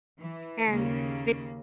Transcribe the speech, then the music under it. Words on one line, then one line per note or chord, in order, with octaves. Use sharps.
and m
E3
D#2 C#3 A#3